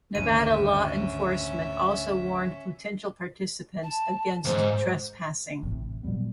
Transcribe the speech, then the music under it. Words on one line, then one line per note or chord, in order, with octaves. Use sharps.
Nevada law enforcement also warned potential participants against trespassing.
F#1 D2 G#2 D#3 C#4 E5 D#7
A5
D#2 G#2 C5
A1 A2 C3
A#2 F#3 G3 B3